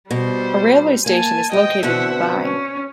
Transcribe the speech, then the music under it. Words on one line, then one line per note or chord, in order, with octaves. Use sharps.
A railway station is located nearby.
B2 G3 C5
A#3 G#5 A5
G#2 G#3 D#5 G5
B2 D3 C4 E5 F#5
C#4